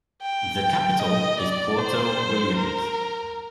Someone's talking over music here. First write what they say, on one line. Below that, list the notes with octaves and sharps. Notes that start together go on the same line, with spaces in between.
The capital is Puerto Williams.
G5
D#5
D5
C5
A#4